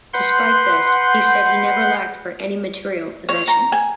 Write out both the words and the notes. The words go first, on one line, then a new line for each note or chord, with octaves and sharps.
Despite this, he said he never lacked for any material possessions.
B4 F#5 C6 G6
C#5
A#5
G#5